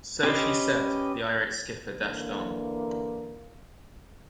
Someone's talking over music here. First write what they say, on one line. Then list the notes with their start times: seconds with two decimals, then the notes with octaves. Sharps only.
So she said, the irate skipper dashed on.
0.23 C#4 G4 B4 D#5 C6
1.98 D3 E3 A#3